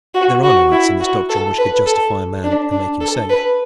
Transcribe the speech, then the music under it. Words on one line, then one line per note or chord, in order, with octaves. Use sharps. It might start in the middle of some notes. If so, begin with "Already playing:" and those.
There are no acts in this doctrine which could justify a man and make him saved.
F#4
F#4
E4
F#4
A4
B4
A4
D4
D4
A4
B4